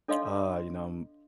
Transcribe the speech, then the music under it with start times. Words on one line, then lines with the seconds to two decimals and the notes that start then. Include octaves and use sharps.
Uh, you know, um
0.08 D4 A4 C#5 D#5 F5 C6